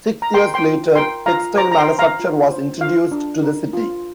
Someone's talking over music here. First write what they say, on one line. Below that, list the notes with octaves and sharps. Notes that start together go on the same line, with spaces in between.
Six years later, textile manufacture was introduced to the city.
A#5
A#4 G5 C6
G5 C6
F4
A#4 G5 C6
F4 F5 A#5
C5 A#5 D6
A#5
G5 C6
C5
F5 A#5
F4
C5
F4 F5
D4
A#4
F4